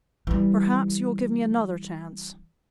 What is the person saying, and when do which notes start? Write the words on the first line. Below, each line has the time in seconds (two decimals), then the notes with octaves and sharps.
"Perhaps you will give me another chance?"
0.27 E3 G3